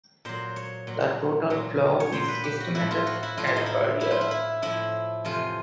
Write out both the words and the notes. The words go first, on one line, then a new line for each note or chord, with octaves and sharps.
The total flow is estimated at per year.
A#2 F#3 C5
C#5
A#2 F#3
A#2 F#3
C#5
A#2 F#3 C5
B4
G4
F#4
A2 F3 E4
F4
F#4
E4
A2 F3 F4
E4
D#4
E4
A2 F3 E4
F4
E4
E4
A2 F3 E4
F2 C3 E3 F4